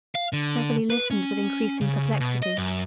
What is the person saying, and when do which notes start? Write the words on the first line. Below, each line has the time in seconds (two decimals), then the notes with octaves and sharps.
Beverly listened with increasing perplexity.
0.15 F5
0.33 D3
0.90 B4
1.11 C#4
1.81 C#3
2.20 B2
2.42 D#5
2.57 F#2